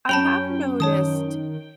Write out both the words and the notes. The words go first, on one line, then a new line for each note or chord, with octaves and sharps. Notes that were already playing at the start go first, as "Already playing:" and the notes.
I have noticed
F#2 C#4 G5 A5 B5 F7
D#3 C#5 A5 D#6